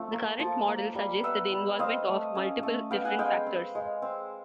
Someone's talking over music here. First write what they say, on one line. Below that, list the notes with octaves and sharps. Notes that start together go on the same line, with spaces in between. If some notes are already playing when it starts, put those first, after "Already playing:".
The current model suggests the involvement of multiple different factors.
Already playing: F3 A3 C4 F5
A#3
F3
A#3
G3
B3 E5 F#5
G3
C4 D#5 F5
A3
C#4
A3
B3 F5 G5
F#5 G#5
G#3 F5 G5
C4
G#3
C4